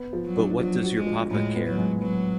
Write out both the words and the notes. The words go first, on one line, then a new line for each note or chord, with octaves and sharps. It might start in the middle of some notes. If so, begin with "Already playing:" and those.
But what does your papa care!
Already playing: B3
F3
F#3
D4
F3 F#3
F#4
G#3
F3
A2 G#3
B3
F#3
G#3
F#3 B3